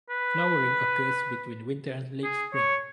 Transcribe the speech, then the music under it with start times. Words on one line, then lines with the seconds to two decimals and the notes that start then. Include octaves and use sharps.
Flowering occurs between winter and late spring.
0.10 B4
2.24 G#4
2.54 C#5